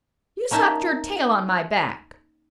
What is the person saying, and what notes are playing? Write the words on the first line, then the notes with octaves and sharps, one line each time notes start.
"You slapped your tail on my back!"
A#3 C#4 D#4 E5 A5